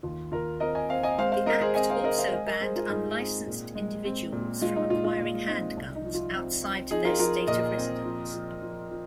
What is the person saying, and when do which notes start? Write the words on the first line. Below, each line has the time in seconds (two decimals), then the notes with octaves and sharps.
The Act also banned unlicensed individuals from acquiring handguns outside their state of residence.
0.03 D#2 F4
0.32 D#2 F4 A#4
0.60 C4 A#4 D#5
0.75 D#5 G#5
0.89 C4 C5 F5
1.03 D#5 G#5
1.18 G#3 C5 F5
1.32 C5 F5
1.46 G#3 A#4 D#5
1.61 G#4 C5
1.75 C4 D#5 G#5
1.90 C5 F5
2.03 G#3 A#4 D#5
2.18 C5 F5
2.32 G#3 D#5 G#5
2.46 A#4 D#5
2.61 G#3 G#4 C5
2.76 F4 A#4
2.89 G#2 D#4 G#4
3.19 C4
3.47 A#2
3.75 G#3
4.05 C4
4.32 A#2
4.61 G#3 F4
4.76 D#4
4.90 A#2 F4
5.04 F4
5.19 A#2 F4
5.48 C4 D#4
5.77 C2
5.95 D#4
6.05 F3
6.14 F4
6.34 C4
6.62 C4
6.91 F3 D#4 G#4
7.05 F4 A#4
7.19 F3 F4 A#4
7.47 A#2 A#4 D#5
7.77 C4
8.05 F3
8.34 F3
8.62 F3
8.91 F3